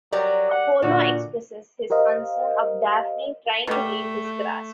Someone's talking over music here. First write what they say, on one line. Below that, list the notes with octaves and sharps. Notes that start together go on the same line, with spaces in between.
Apollo expresses his concern of Daphne trying to leave his grasp.
F#3 G3 A#4 D5
F#5
A#2 D3 F#4 D5
G4 A#4 C5 D#5 F5
B2 G3 A3